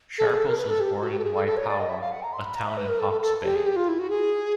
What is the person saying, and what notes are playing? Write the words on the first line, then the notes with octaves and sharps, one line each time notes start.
Sharples was born in Waipawa, a town in Hawke's Bay.
A4
G#4
A4
A#4
B4
A4
G4
F#4
G4
A4
G#4
A4
A4
C#5
D5
D#5
E5
F5
F#5
A#5
C6
B5
A#5
E5
B4
A#4
A4
A4
A4
G4
G#4
G4
F4
E4
F#4
G#4